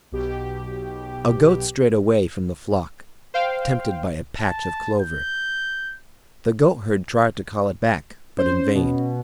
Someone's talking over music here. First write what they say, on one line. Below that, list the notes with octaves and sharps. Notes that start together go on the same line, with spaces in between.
A Goat strayed away from the flock, tempted by a patch of clover. The Goatherd tried to call it back, but in vain.
B1 B2 G4
C5 F5 G5
A5
G6
C#4 C5
B2